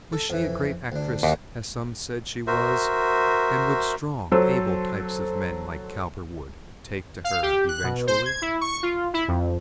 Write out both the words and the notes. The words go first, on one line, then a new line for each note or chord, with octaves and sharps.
Was she a great actress, as some said she was, and would strong, able types of men like Cowperwood take to her--eventually?
A4
F2 E3
D2 D4
D#2 F#4
F#4 A#4 C5 E5
F#3 A4 C5
F5
G4
F#6
B2
C5
G#6
E4
C#6
F4
E4
F2